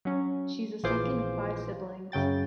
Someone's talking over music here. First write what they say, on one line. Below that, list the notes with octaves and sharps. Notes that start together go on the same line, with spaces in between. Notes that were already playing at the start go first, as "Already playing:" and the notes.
She's the second of five siblings.
F#3 C#4
A#1 E3 F4 G#4 C5 D6
F#2 C#3 F#3 G5 A6